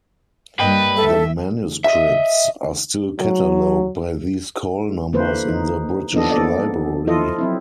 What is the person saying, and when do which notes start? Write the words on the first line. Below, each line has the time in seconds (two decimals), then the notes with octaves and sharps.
The manuscripts are still catalogued by these call numbers in the British Library.
0.60 G2 G3 A#3 B4 D#5 G5
0.97 A4 E5
1.84 D#5 E5
3.20 F#3
5.13 D3 A#3 E4 B4 C5
5.48 D#4
6.13 F3 A#3 B3 D4 A4 D#5
6.31 A#3 B3 A4 D5 D#5
7.07 F3 E4 F4 A4 D#5
7.39 F#3 C4 E4